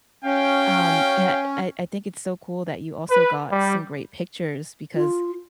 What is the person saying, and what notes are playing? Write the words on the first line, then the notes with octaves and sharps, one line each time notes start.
Um, and I I think it's so cool that you also got some great pictures because,
C#4 F#4 F5 G5
B4
G3
F4